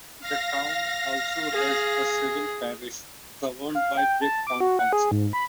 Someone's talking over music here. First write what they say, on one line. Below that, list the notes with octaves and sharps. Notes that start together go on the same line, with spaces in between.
The town also has a civil parish governed by Brigg Town Council.
F5 A#6
G#4
F5
G5
A5
D6
F#4
F#5
G#4
G#2
B5